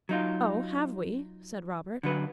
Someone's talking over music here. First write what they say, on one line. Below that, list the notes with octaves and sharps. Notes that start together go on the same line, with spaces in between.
'Oh, have we?' said Robert.
F#3 D#4 F4
D3 F#3 B4